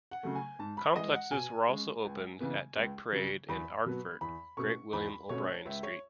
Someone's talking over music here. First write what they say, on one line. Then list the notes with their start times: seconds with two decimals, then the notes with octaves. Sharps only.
Complexes were also opened at Dyke Parade and Ardfert, Great William O'Brien Street.
0.11 F#5
0.23 C#3 F#3 A3
0.35 G#5
0.59 G#2 A5
0.77 B5
0.96 E3 G#3 D#5
1.14 F#5
1.31 B2 G#5
1.68 G#3 C#4
2.05 C#2
2.40 C#3 E3 B3
2.76 C#2
3.12 C#3 F#3
3.49 E2 B5
3.85 B2 F#3 B3
4.21 E2 B5
4.57 B2 A3 C#4 C#6
4.93 E2 B5
5.29 B2 A3 C#4 C#5
5.65 C#2 E5
5.83 C#5